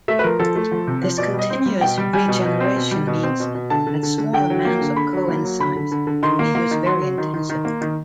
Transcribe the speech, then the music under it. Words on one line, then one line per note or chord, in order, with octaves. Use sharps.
This continuous regeneration means that small amounts of coenzymes can be used very intensively.
A3 E5
B4
F3 A#4
F3 A4
A3
F3
C3
F3
B2 D5
G3 D#5
C4
G3
B2 G5
G3
G3 G#5
B2
B2
C4
B2
G3
B2
C4
B2
B2
D3 A5
D3
D3
D3
D3 G5
F#3
A#3
D3
D3 B5
F#3
A#3
F#3
D3 B5
D3
D3
D3
D#3 C6
A#3
A#3
D#3
F#3 C6
F#3
D#3
D#3
D#3
A#3
D#3